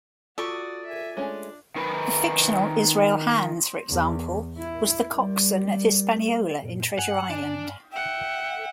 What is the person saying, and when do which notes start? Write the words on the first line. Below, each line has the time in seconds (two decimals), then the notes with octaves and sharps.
The fictional Israel Hands, for example, was the coxswain of "Hispaniola" in "Treasure Island".
0.38 F4 F#4 A4 D5 A5 C#6 D#6 E6
0.85 E5 G#5
1.17 G#3 A3 C#4 D4
1.76 D#3 B4
3.89 E2
4.57 E4
5.17 G3
6.63 F#2 A#2
6.98 G2 F#5 G#5
7.30 D4
7.92 E5 F#5 G5